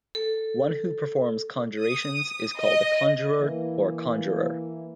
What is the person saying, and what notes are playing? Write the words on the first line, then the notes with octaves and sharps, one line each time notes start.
One who performs conjurations is called a conjurer or conjuror.
A4
D#6
D#5
E3 A#3